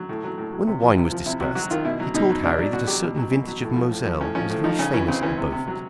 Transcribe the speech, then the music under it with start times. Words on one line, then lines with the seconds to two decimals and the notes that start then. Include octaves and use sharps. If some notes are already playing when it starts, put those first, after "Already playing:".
When the wine was discussed he told Harry that a certain vintage of Moselle was very famous at the Beaufort.
Already playing: F#3
0.09 A2
0.24 F#3
0.38 A2
0.52 F#3
0.67 C3
0.82 F3
0.97 C3
1.12 F3
1.26 C3 E4
1.40 C3 F#4
1.55 F#3 F#4
1.71 D#3 F4
1.85 B2 E4
2.00 F#3
2.14 B2 D#4
2.29 F#3
2.44 B2 D4
2.58 F#3 D4
2.73 B2 F#4
2.87 F#3 G4
3.03 B2
3.17 F#3
3.31 B2
3.47 F#3
3.62 A2
3.76 F3
3.91 A2
4.05 F3
4.21 A2 C#4
4.35 F3 C#4
4.50 A2
4.64 F3 D#4
4.79 C#3 C#4
4.93 E3 C#4
5.08 C#3 C4
5.23 E3 C#4
5.38 C3
5.52 C3
5.67 F#3